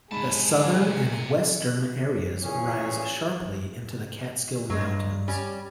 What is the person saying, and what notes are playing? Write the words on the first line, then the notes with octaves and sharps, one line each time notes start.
The southern and western areas rise sharply into the Catskill Mountains.
G#2 C3 G#4 A5 B5
A#2 E3 C#4 G#4
G2 F#3 G#3
G3 C#4